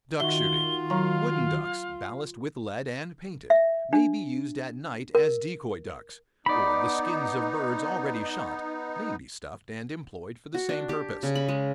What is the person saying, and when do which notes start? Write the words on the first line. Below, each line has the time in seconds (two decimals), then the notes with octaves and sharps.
Duck-shooting.--Wooden ducks, ballasted with lead, and painted, may be used at night as decoy-ducks; or the skins of birds already shot, may be stuffed and employed for the same purpose.
0.20 D#3 F4 F#4 E5 G7
0.90 F#3 F5 A#5
3.50 E5
3.93 D4
5.15 A#4
6.46 B3 D#4 D5 B5
10.54 F#4
10.69 D4
10.89 G4
11.23 C#3
11.35 B5
11.49 G#3